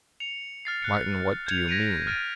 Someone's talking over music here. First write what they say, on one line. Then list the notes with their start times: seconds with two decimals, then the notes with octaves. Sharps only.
"Martin--what do you mean?"
0.20 C#7 F7
0.65 F6 A6 C7
0.82 F#6 C#7
1.46 G6 G#6 C#7 F7
1.68 G#6 A#6 B6 D7 D#7 F7
2.07 F6 A6 D7 D#7